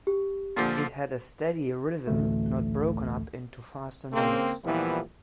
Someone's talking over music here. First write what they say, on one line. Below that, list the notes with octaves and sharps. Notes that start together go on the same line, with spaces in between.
It had a steady rhythm, not broken up into faster notes.
G4
A#2 D3 F3
A1 D2 A3
C#3 A#3 C4
A#2 E3 F3 G3 B3 E4